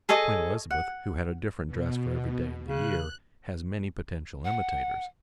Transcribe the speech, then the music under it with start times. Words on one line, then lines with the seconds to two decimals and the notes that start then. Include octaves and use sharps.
Queen Elizabeth, who had a different dress for every day in the year, has many potential imitators.
0.09 G#4 A4 C#5 D#5
0.71 F#5
1.67 B2
2.68 C#3 F#6
4.45 F#5